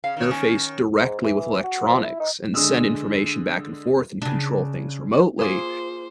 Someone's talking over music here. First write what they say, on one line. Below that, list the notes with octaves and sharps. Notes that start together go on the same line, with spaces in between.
interface directly with electronics and send information back and forth and control things remotely.
C#3 F5
D#3 C#5
C#4
G#2
E3
F#4
F3
E4
D#4
D3 G#3 D#6 E6
C#3 D4
A#3 F4 G#4 C5